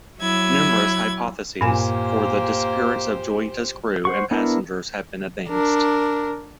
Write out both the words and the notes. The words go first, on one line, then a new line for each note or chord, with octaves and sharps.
Numerous hypotheses for the disappearance of "Joyita"s crew and passengers have been advanced.
F#3 E4 G#6
G2 A#2 A#3 G4 C5 G#5 E7
C5 F#5 C#6
B3 D4 E4 A#4
D4 A#4